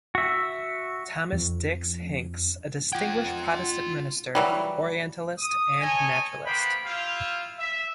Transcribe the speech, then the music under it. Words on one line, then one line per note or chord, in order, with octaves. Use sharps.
Thomas Dix Hincks, a distinguished Protestant minister, orientalist and naturalist.
F#4 E5
F2
F4 F#5 G5 G#6
E3 F#3 G3
D#6
A4 C#5 D#5 G#5
A#3 B3 B4 C5 G5 B5
E4 F4 G4 F5
E5